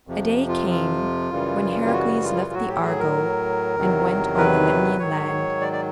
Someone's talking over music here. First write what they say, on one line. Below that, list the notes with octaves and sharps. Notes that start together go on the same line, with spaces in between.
A day came when Heracles left the Argo and went on the Lemnian land.
F2 C3 F3
F4
F4
F#2 C#3 E3 G3
G4
F#4
F4
A2 F#3 F#4
G4
G#4
A#4
E2 C3 D#3 F#3
B4
G#2 D#3 F#3 C#5
D5
D5